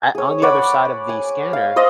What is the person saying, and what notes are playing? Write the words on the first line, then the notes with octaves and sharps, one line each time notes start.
at on the other side of the scanner,
G#4 C#5
C#5 D5 F#5 B5
G#5
F5
C5 D5 D#5 F5